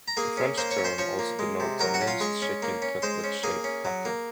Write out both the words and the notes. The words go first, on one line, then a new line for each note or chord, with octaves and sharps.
The French term also denotes a minced chicken cutlet-shaped patty.
A#5
A#3 G#4 G#5
C#4
A#3 C5 C6
C#5 C#6
C#4
C5 C6
F3 C#5 C#6
A#3
G#3
C3
F#3 A#4 A#5
F#4 F#5
C#4
F4 F5
G#3 C#5 C#6
C#4
A#3
C#4
G#3 C5 C6
C#4
A#3 G#4 G#5
C#4
F#3
A#3